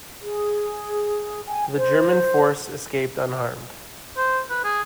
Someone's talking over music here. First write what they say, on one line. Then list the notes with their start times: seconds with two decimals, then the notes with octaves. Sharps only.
The German force escaped unharmed.
0.22 G#4
1.48 G5 G#5
1.76 C5
4.17 C5
4.49 B4
4.64 G#4